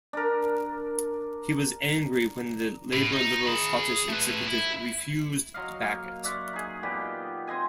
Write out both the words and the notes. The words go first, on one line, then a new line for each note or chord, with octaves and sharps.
He was angry when the Labour-Liberal Scottish Executive refused to back it.
D4 A#4
A2
D#4
G#4 B5
A3 B4
E4
F#3 D#5 F5
A#3
D5 E5 F#5 C#6
D#4 G#4
A#2 B3 G4 D#5
C4 C5 D#5 G#5